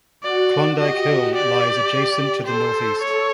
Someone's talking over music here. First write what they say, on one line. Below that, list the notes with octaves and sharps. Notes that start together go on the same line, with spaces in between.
Klondike Hill lies adjacent to the northeast.
F#4 D5
G4 D#5
G4 D5
G4
A4 C5
A4 C#5